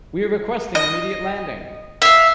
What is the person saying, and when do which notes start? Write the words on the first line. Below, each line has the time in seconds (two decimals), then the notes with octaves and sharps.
We are requesting immediate landing!
0.75 D#5
2.02 E5 F5